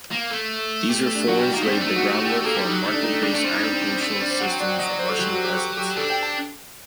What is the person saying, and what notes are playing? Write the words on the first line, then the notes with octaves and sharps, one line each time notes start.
These reforms laid the groundwork for a market-based agricultural system for Russian peasants.
A#3
A3
G4
G4
D4
F#3 F#4
G4
G3
F#4
A#3 D#4
A3 C4
G3
D4
A3
D#4
F#4
G4
G4
A#3 A4
G4
G3
D#4
F#3
A3 D#4
D4
D#4
D#4
G3 D4
A3 D4
G3 C4
D#4
D4
C4
D4
C4
A3 D4
C4
G3 D4
C5
F#3 F#5
G5
D5
G5
F#3 D#5
D5
C5
A4
F#3 G4
F#4
G4
G4
G4
D4 A4
G5
A5